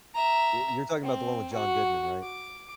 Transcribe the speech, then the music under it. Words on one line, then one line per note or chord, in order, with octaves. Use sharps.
y you're talking about the one with John Goodman, right?
E5 A#5
C4
F#4
D6